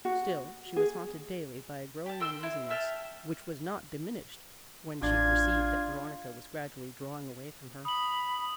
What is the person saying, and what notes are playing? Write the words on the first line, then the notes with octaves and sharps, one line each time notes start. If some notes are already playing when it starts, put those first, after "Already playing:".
Still she was haunted daily by a growing uneasiness, which was not diminished when she perceived that Veronica was gradually drawing away from her.
F#4
G#4
G4 A5
A#4 C6 E6 G6
E4
E5 G5 A5 F6
A1 D4 F4 G#6
B5 D#6 F#7